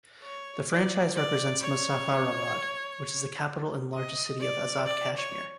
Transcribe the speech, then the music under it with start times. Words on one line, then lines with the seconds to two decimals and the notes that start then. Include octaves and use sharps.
The franchise represents Muzaffarabad which is capital and largest city of Azad Kashmir.
0.23 C#5
0.69 D5
1.15 D5
1.61 C#5
3.94 D#5
4.40 D5
4.86 D5
5.17 C#5